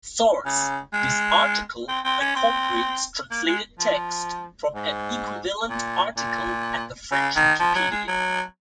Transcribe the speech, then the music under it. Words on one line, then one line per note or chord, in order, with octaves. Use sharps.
Source: "This article incorporates translated text from an equivalent article at the French Wikipedia".
C#3
G#3
C4
C4
C#4
C4
A#3
G#3
F3
G#2
A#2
A#2
C#3
D#3
F3
F#3
G#3
F#3